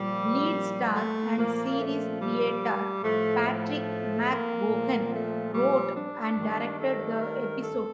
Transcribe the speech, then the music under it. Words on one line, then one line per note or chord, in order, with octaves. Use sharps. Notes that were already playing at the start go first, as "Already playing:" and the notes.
Lead star and series creator Patrick McGoohan wrote and directed the episode.
Already playing: A#2 F3 G3
A3
A#2 F3 A#3
A3
G3
A2 F3 A3
A3
A#3
A#2 F3
A3
G3
D4
G2 D#3
A4
A#4
A4